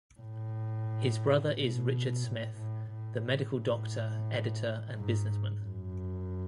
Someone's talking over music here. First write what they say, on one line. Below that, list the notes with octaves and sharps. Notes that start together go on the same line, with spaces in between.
His brother is Richard Smith, the medical doctor, editor and businessman.
A2
B2
A2
A2
A2
A2
G#2
F#2